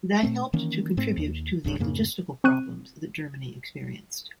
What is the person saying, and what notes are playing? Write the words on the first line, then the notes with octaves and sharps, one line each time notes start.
That helped to contribute to the logistical problems that Germany experienced.
A#2 A3 C4
D#3 E3 A#3 C#4
G#2 A3 C4
D#2
D#1 C#2 G2 C#3
F2 G#2 C#3 A#3
C4 C#6 F#6 D#7